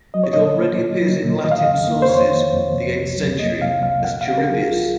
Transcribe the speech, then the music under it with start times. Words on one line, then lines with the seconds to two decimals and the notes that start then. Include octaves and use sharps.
It already appears in Latin sources of the eighth century as Charivius.
0.14 F#3 D#5
0.24 C#5
0.33 A#2 D#5
0.58 A#3
0.79 A#2
1.01 F#3
1.23 A#2
1.44 D#3 D#5
1.52 F5
1.59 D#5
1.66 F2
1.88 A#3
2.02 C5
2.09 F2 C#5
2.31 D#3
2.53 F2
2.74 C3
2.96 C2
3.18 F#3
3.39 A#3 D#5
3.62 C3 F5
3.83 C2 F5
4.04 A#2 F#5
4.21 F5
4.27 C2
4.38 A#4
4.48 F#3
4.53 G#4
4.70 C2 F4